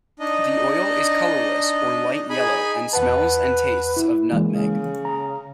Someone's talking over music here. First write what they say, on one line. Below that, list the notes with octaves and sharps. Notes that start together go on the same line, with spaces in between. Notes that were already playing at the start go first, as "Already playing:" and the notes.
The oil is colorless or light yellow and smells and tastes of nutmeg.
D4 D#4 D#5
D#4 G#4 G#5 B5
E2 B4 F#5 A5
E4
E3 G#3 A#3
C#3
A#5